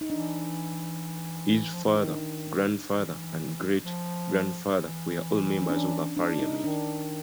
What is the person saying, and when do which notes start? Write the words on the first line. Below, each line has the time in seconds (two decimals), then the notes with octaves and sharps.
Her father, grandfather and great-grandfather were all Members of Parliament.
0.01 D#4
0.09 E3 D4
1.74 F3
1.84 E3
1.96 D#3 D#4
2.08 D4
2.19 D#4
2.90 E3
3.83 F3
4.77 E3
5.62 C#4
5.70 D4
6.17 D4
6.39 D#4
6.64 D#3 D4